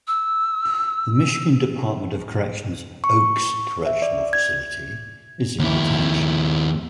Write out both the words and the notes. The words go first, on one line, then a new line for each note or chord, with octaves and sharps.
The Michigan Department of Corrections Oaks Correctional Facility is in the township.
E6
C#6
E5
D5
G#6
D#2 E4